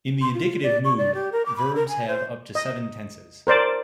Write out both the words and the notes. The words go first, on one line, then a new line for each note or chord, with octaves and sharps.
In the indicative mood, verbs have up to seven tenses.
C6
F4
D5
C#6
D5
G4
A#4
D6
B5
A#4
G#5
C5
D#5
A#4 C5 D5